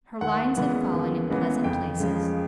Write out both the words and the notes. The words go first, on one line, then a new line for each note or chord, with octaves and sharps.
Her lines had fallen in pleasant places.
D#2 F#5
C#3 E3 G#3 B3
D#2
C#3 E3 G#3 B3
F2 G5
C#3 F3 G#3